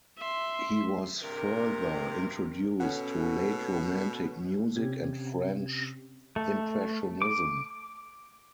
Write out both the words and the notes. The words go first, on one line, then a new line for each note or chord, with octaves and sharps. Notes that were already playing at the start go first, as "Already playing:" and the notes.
He was further introduced to late-romantic music and French impressionism.
E5 C6
G2 C3 A#4
B2 C#4 A4 F#5
C3 C4 C#4 G4 G#6
A3
D6